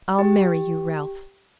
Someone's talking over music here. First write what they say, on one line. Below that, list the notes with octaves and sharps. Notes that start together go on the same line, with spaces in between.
I'll marry you, Ralph!...
G4